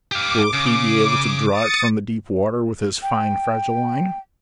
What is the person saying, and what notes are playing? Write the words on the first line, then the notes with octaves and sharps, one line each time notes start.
Will he be able to draw it from the deep water with his fine, fragile line?
G4 F5 D6
C#3
D#6 A6 C#7
G5